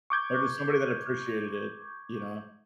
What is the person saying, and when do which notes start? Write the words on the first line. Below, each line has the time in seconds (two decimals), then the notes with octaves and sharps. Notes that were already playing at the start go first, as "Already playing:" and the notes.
Or just somebody that appreciated it, you know?
0.10 C#6 D6 G6 G#6